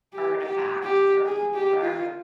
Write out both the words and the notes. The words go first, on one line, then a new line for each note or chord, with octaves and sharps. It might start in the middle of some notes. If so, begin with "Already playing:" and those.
artifact from wherever
G4
G4
G4
G#4
G4
F4